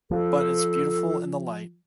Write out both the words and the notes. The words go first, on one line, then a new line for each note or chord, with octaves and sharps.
But it’s beautiful in the light.
F3 A4